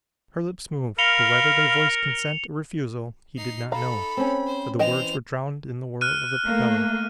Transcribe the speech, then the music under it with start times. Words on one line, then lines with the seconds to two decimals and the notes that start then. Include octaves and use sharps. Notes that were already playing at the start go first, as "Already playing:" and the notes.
Her lips moved but whether they voiced consent or refusal he did not know, for the words were drowned in the whir of the propeller.
0.98 A#4 F5 B5 C#7 F7 G7
3.37 D#4 C7
3.72 D#4 A4 F5 A#5 B5
4.17 C4 C#4
4.47 C5
4.79 E3 C5 D#5 G5 F7
6.01 F6 F#6 D#7
6.45 A3 A#3